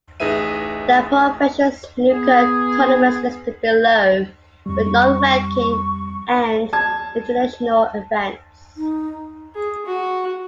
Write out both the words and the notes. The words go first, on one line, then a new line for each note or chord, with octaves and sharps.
The professional snooker tournaments listed below were non-ranking and invitational events.
A1 D#4 G#4 B4 E5 D#7
B3 G#4
F2 G3 C#6
A5 G#6
D#4
G#4
F#4